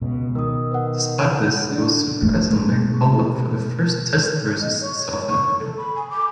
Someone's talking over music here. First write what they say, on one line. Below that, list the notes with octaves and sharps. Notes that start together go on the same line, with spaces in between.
Despite this he was, surprisingly, called up for the first Test versus South Africa.
C#2 B2
D#3 D#6 E6
B4 F#5
D4
G#3 A3
B2 G#3
D#5
C#5
C#6
A4
B5
G#5
D6